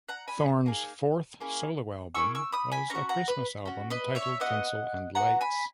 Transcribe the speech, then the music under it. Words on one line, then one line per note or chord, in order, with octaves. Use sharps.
Thorn's fourth solo album was a Christmas album entitled "Tinsel and Lights".
F#5 A#5
G#5 B5
A#3 D#4 G#4
A#3 C#4 E4 G#4
A#3 C#4 E4 G#4 C#6 E6
C#6 E6
B5 D#6
G#5 B5
C#4 F#4 A#5 C#6
F#5 A#5
B4
C#4 F#4
B4 D#5
C#5 E5
B3 F#4 D#5 F#5
B3 F#4 F#5 A#5
G#5 B5